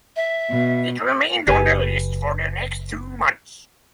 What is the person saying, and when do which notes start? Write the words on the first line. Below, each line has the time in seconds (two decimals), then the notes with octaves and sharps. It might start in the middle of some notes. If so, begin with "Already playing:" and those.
It remained on the list for the next two months.
0.16 E5
0.49 B2
1.48 F#1 G4 B4 G#5